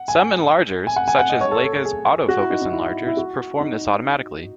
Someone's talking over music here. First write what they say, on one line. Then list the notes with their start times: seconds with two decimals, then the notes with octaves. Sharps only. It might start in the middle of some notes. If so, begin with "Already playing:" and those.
Some enlargers, such as Leica's "Autofocus" enlargers, perform this automatically.
Already playing: F#5
0.08 G#5
0.87 G#5
0.96 F#5
1.08 G#5
1.19 F#5
1.29 D#5
1.41 C#5
1.51 A4
1.62 A4
1.74 A4
1.85 G#4
2.28 F#4
2.40 E4
2.50 D#4
2.62 D#4
2.72 E4
3.07 E4
3.17 F#4
3.60 D#4